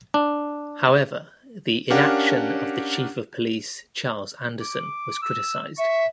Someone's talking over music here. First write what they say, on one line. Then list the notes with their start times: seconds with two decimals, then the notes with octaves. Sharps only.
However the inaction of the Chief of Police Charles Anderson was criticised.
0.14 D4
1.90 C#4 D4 G4 A#4 F5 F#5
4.61 D6
5.22 E6
5.78 E5 C#6